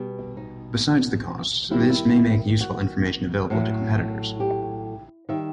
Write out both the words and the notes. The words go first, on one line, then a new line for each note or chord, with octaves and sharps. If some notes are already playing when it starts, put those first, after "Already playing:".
Besides the cost, this may make useful information available to competitors.
Already playing: B2 G3
D#4
D#3 G3 E4
D#4
E4
F#4
A2 F#3 A3
G4
D#3 G3 E5